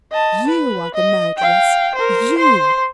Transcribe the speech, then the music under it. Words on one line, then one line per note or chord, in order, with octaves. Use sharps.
You are the murderess--you!
D#5 A5
B4
D#5
F5 G5
A#4 C5
C5 C6